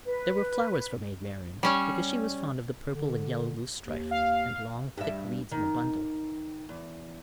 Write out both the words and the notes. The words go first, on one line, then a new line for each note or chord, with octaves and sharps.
There were flowers for Maid Marian, because she was fond of the purple and yellow loosestrife, and long thick reeds in a bundle.
B4
G3 C#4 C#5
D3
D#2
F5
G2 E5
D#3
E2